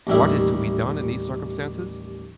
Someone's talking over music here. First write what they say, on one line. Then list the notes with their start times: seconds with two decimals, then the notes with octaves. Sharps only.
What is to be done in these circumstances?
0.07 A1 D#2 G3 E4